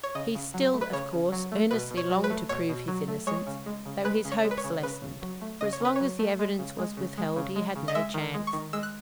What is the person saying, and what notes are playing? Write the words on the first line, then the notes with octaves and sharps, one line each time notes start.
He still, of course, earnestly longed to prove his innocence, though his hopes lessened, for as long as the evidence was withheld, he had no chance.
C#5
C#3 D#5
C#3
F#3
A3
B4
C#3 C#5
C#3
F#3
A3
B2 B4
B2
C#5
F#3
B4
A3
B2 C#5
B2
F#3
A3
G#3 C#5
C#3
G#3
C#3
G#3 B4
C#3
C#5
G#3
B4
C#5
C#3
C#3 B4
C#3
F#3
A3
C#3 D#5
C#5
C#3 B4
F#3 C#5
A3
G#3
C#3
G#3
C#3
G#3
C#3
G#3
C#3
D#5
G#3 E5
D#3
G#3
C#6
D#3
G#3 E6
F#6